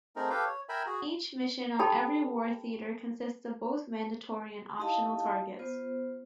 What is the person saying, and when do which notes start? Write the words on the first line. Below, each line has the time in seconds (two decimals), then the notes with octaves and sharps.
Each mission on every war theatre consists of both mandatory and optional targets.
0.16 A3 C4 D#4 G#4 A#4
0.30 G4 A4 B4 F5 G5
0.46 C#5
0.69 A#4 E5 G5 G#5 B5
0.86 F#4 G#4
1.79 D#4 G4 A4 G5 A5 B5
4.78 D#4 E4 G4 D#5 F5 A5
5.59 B3 F4 C5